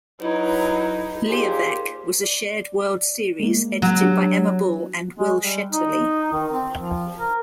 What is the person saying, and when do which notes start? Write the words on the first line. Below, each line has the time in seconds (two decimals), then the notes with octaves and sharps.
Liavek was a shared-world series edited by Emma Bull and Will Shetterly.
0.22 F#3 D#4 E4 B4
1.28 D#2 A#2 G4 G#4 C5
2.23 D5
3.40 G#3 A#3
3.82 F#3
4.02 D4 G4 F#5
5.18 G#3
5.41 G3
5.72 D#4
6.33 D#3
6.51 C4
6.77 F3
7.17 A#4